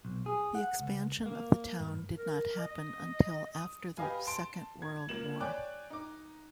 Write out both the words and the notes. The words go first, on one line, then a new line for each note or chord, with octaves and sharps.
The expansion of the town did not happen until after the Second World War.
B1
G#4
F#5
C#2
A#3
G2
A#4
D#5
D#6
G4 B4 D#5 F5 G#5
A5 C6 D7
G#6
C#2 A#3 E7 F#7
C#5 D5 G5 G#5 D6 F#6
D#4 D6